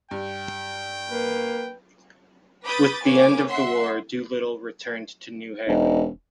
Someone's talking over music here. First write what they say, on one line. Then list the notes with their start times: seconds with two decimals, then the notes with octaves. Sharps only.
With the end of the war Doolittle returned to New Haven.
0.11 G2 G5
1.09 A#3 B4
2.65 B4 B5 D6 D#6 G6 A6
3.03 A#3 C#4 B4 G#5 D6
3.48 E5 F#5 C6
5.67 E1 D#4